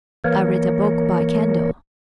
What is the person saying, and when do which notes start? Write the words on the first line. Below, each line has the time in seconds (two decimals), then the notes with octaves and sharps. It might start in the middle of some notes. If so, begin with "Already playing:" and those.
I read a book by candle.
0.24 E3 A#3 A#4 C#5